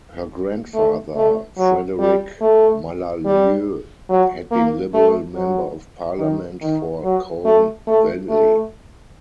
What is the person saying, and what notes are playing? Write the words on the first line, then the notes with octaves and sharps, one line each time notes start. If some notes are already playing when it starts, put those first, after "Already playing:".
Her grandfather, Frederick Mallalieu, had been Liberal Member of Parliament for Colne Valley.
A3
A3
F#3
G3
A3
G3
F#3
A#3
A3
F#3
D#3
D#3
F#3
A3
A3
A3